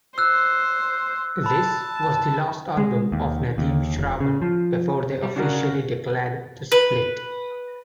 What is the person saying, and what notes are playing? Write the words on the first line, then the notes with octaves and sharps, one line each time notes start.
This was the last album of Nadeem-Shravan before they officially declared to split.
C5 E6 F#6
A5 B5
G#3
D#2
D#2
F1
C#3
F3
G3
C#3 D4 F#4 A#4
B4